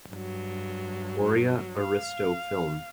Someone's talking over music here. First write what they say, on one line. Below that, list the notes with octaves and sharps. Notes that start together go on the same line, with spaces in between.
Aurea Aristo Film.
G2 F#3
F5